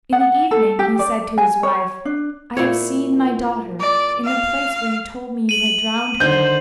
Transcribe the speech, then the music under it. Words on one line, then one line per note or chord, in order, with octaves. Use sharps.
In the evening he said to his wife: 'I have seen my daughter, in the place where you told me you had drowned her.
F#5
A4
G4
D5
G#5
C#5
D4
A#2 E4 C#5
D5
F5
D#7 F#7
D3 D#3 A4 C5 G6